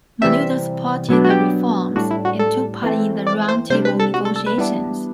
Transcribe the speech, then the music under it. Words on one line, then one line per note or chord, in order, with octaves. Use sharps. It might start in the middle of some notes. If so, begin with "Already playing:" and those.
Maleuda supported the reforms and took part in the round table negotiations.
C3 E3 G3 C4 E5
B2 F#3 B3 D4
F#4
G4
A2 G3 D4 F#4
E4
F#4
A4
E3 A3 C4
D5
C5
C3 G3 D4 C5
B4
A4
F#4
A4
A4
B4
E3 G3 B3 D4